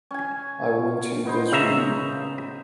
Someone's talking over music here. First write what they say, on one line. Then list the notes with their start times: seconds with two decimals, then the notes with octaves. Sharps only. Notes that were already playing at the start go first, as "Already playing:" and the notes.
I went to the zoo.
0.11 C#4 G#5
1.25 B3 D#4 C5
1.52 C#3 E5 A#5